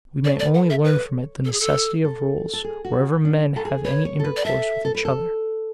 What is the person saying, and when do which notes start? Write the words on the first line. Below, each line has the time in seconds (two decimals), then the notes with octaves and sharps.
We may only learn from it the necessity of rules, wherever men have any intercourse with each other.
0.24 C#5 D5
0.36 A4 D5
0.44 B4
0.54 F#5
0.64 A4
0.70 E5
0.84 B4 C#5
1.45 A4
1.52 G#4
1.60 A4
2.04 A4
2.53 A4
2.64 G#4
2.85 F#4
3.25 D4
3.56 A4
3.65 G#4
3.85 B4 C#5
4.05 C#5
4.20 A4
4.24 B4
4.37 D5
4.45 A4 E5
4.85 A4
4.95 B4
5.05 A4